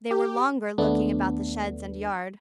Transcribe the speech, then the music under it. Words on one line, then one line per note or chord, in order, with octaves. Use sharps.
They were longer looking about the sheds and yard.
G4
D#2 A3 B3 D4